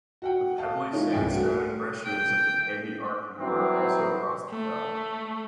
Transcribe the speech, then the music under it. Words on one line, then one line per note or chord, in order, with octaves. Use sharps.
The pebbly sandstone and breccias of the Pavey Ark Member also cross the fell.
F#4 F#5 G5
F5 A5
E3 G#3 C#4 D#4 F4
C2 G2 G#4 G5 G#5 D7
A3 F#4
G5
E3 F#3 G3 C4
A3